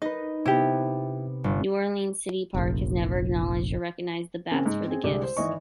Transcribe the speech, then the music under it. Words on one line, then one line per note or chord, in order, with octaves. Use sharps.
New Orleans City Park has never acknowledged or recognized the Batts for the gifts.
D#4 B4 D#5
C3 B3 E4 G4
G1
F1 A#1
C#3 A#3 C4 C#4
G#2
C4 C#4 G#4
C2 D3 G#3 G4 D5
C5
G#1 E3 D#5 C#6